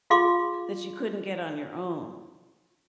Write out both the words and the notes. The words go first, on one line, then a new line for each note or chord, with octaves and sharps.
that you couldn't get on your own.
F4 G#4 F5 C6 D6